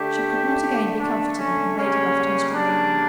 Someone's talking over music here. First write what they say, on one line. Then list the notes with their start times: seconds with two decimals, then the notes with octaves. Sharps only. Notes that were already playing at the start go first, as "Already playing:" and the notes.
She could not again be comfortable in Lady Lufton's drawing-room.
Already playing: D3 A3 G4
1.00 D4
1.37 C#4
1.76 C#3 G3 A#3 C#4
2.54 D4